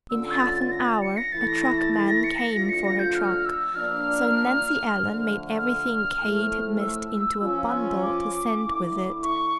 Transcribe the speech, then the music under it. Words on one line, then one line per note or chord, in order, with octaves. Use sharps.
In half an hour a truckman came for her trunk, so Nancy Ellen made everything Kate had missed into a bundle to send with it.
D3 A3 C#4 F4 E6
A6
A6
A#6
C#7
A#6
E3 A3 E4 A6
A#6
A#6
A6
A6
A#6
C#7
A#6
D3 F3 A3 D4 F4 A#6
C#7
A#6
G6
F6
E6
F3 A#3 D4 F6
D3 F3 A3
F6
A2 F3 A3
E6
F3 C#4 F4
D6
D3 A3 E4
C#6